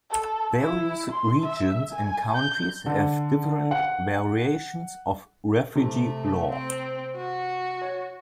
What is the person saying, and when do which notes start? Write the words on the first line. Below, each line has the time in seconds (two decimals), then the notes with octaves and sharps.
Various regions and countries have different variations of refugee law.
0.11 A4
0.61 E4
1.11 C6
1.43 E5
1.92 G#5
2.35 G6
2.86 D3
3.71 F#5
5.75 C3 A3
6.50 C4
7.16 F#4
7.82 C#5